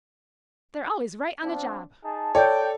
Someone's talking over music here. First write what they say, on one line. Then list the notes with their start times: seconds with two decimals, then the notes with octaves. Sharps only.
They're always right on the job.
1.43 F3 C4 D4
2.04 D#4 G#4 A5
2.35 A4 C#5 D5 G5